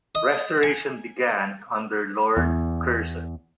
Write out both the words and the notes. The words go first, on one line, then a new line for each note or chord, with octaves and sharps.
Restoration began under Lord Curzon.
D#5
G#5
E2